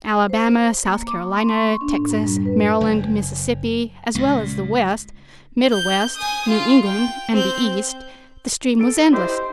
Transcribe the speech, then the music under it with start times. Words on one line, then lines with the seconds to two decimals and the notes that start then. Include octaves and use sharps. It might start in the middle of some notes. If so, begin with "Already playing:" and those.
Alabama, South Carolina, Texas, Maryland, Mississippi, as well as the West, Middle West, New England and the East-the stream was endless.
0.29 C5
0.85 A#3
1.07 D6
1.38 C6
1.54 C#6
1.81 D4
1.96 A2
2.10 F#2
2.24 G3
2.45 B4
2.81 F#1
4.15 C#2 A#2
5.72 G6
6.17 G#5 D#6
6.49 F4
6.84 G5
7.33 C4 G6
8.79 A4 D7
9.12 D#4 E4 G4 C5